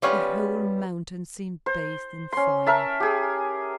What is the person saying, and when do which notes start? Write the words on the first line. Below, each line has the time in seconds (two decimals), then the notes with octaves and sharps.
The whole mountain seemed bathed in fire.
0.02 G3 B3 C#4 F4 B4 C#5
1.66 C5
2.33 C#4 C6
2.66 A#4 E5 A5
3.00 G4 G#4